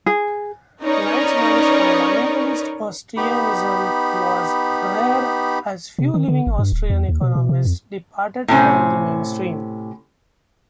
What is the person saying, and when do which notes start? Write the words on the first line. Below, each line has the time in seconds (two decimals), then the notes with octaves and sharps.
Lachmann's "fundamentalist Austrianism" was rare as few living Austrian economists departed from the mainstream.
0.06 G#4
0.82 C#4 D#4 A#4 B4 C#5 D5
3.17 B3 D#4 G4 B5
5.99 C3
6.14 D#3
6.28 D3
6.47 G#1
6.59 G2
6.72 D1
6.90 E2
7.08 D#2
7.21 B2
7.35 B2
7.49 C3
7.65 F2
8.48 A2 C3 C#4 C5